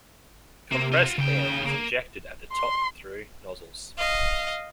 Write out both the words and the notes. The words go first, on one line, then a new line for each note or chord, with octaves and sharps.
Compressed air is injected at the top through nozzles.
C3 A#3
F4 F#4
D#2 C#3 G5
A#3
C6
D#5 F5